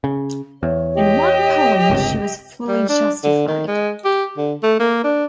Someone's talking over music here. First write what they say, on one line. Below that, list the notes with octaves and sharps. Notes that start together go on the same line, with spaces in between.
In one point she was fully justified.
C#3
E2 C#5
G4 D#5
G1 C#2 C3
G3
D4
D3
D#3
G#3
G4
D3
A3
A#3
D4